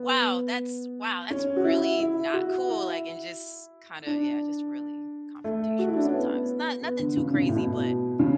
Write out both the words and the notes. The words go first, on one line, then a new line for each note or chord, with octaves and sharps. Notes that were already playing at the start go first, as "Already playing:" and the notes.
Wow, that's wow. That's really not cool," like, and just kinda yeah, just really confrontational sometimes. Not nothing too crazy, but
Already playing: B3
C#4
F#4
E4
E4
F#4
E4
D4
A3
F#4
E4
D4
C#4
B3
B3
D3
C#3
C#3
B2
A2
B2
C#3